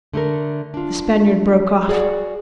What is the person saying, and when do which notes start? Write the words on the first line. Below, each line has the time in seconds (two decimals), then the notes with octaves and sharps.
The Spaniard broke off.
0.13 D3 A3 A4 A#4
0.74 D4 F4
1.88 F#4 G#4 C#5 D5 F#5